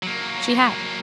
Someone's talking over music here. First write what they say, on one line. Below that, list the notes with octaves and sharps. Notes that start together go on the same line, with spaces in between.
She had.
F#3 A#3